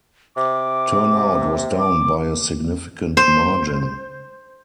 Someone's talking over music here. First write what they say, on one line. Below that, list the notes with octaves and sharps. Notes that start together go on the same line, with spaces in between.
Turnout was down by a significant margin.
C3 D6
D6
C5